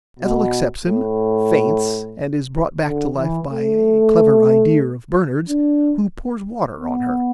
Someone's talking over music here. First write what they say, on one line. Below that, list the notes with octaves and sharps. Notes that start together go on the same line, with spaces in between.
Ethel accepts him, faints and is brought back to life by a clever "idear" of Bernard's, who pours water on her.
B2
A2
D3
E3
A3
D4
B3